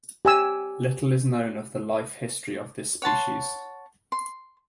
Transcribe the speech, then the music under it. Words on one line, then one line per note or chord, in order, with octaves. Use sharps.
Little is known of the life history of this species.
G4 G#5 E6
C#5 F#5 A5 C6
C6